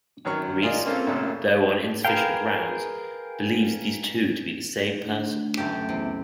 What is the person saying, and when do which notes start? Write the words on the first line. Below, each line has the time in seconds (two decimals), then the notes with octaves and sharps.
Reiske, though on insufficient grounds, believes these two to be the same person.
0.25 F#2 D#3 F#3 C#6 F6
0.62 F4 G#4 A#4 D5 D#5
0.85 A#3 C4 C#4 F4 A4
1.07 A1 F#2 A#2 C#3 A4
2.05 G#4 A#4 B4 F5 G5
5.05 D2
5.57 C#2 F#2 A3 G4
5.89 E2 C3